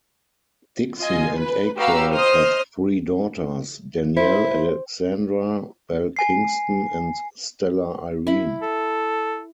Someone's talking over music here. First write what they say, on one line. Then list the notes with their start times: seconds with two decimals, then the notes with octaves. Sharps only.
Dixon and Aykroyd have three daughters: Danielle Alexandra, Belle Kingston and Stella Irene.
0.98 F4 D#5 G#5
1.36 B4
1.76 F#4 G4 B4 F5 A#5 E6
2.12 C5 D#5 D#6 F6
4.17 E4 C5
6.16 G#5 C7
8.27 E4 B5
8.62 A4